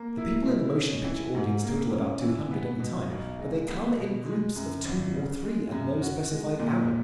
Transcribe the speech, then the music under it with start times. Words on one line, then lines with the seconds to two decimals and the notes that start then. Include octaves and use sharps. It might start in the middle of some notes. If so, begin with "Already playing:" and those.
The people in the motion picture audience total about two hundred, any time, but they come in groups of two or three at no specified hour.
Already playing: A#3
0.18 E4
0.46 B2
0.76 C#4
1.04 E3
1.35 G#2
1.63 A#3
1.93 C#4
2.21 E3
2.51 B3
2.80 B2
3.10 B1
3.39 G#3
3.68 B3
3.97 B2
4.26 G#3
4.56 F#2
4.85 G#1
5.13 C#3
5.44 G#3
5.72 F#2
6.01 F#4
6.31 G#3
6.59 A#2